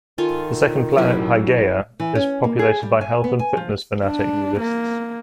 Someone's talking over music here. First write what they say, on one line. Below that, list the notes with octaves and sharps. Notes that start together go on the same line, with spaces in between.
The second planet, Hygeia, is populated by health and fitness fanatic nudists.
D#3 F4 A4 G#5
F#3 C#4 E4 G4
E3
C#4
A#3
G#4
G3
G#5
B3
G#5
F3
D4
A#3